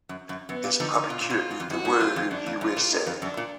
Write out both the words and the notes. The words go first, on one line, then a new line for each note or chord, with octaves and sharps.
Is 'propinquity' the word you wish, sir?
F#2
F#2
F#2 B3
A#2
D3 F3 D#4
D3
B2 F4
A#2
B2
G#2
F2
F#2 F#4
G#2
F#2 F4
F2
F#2 D4
F2
F#2 F4
A#2
D#4
F2
F#2 D4
A#2